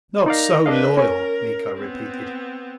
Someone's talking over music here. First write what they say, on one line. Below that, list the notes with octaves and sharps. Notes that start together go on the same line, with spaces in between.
"Not so loyal," Miko repeated.
A#3 D#4 D5 F5 A#5
A#3 D4 B4 D#5 F5
C#4 A#4
B3 C4